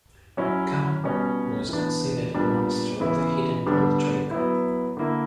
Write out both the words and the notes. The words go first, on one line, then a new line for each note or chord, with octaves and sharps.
Kamm was considered a master of the hidden ball trick.
F#3 C#4 E4
B2 G3 C#4
E3 B3 D4
A#2 G3 B3 D4
C#3 E3 B3 E4
D3 G3 B3 D4
F#3 B3 E4
D3 A#3 E4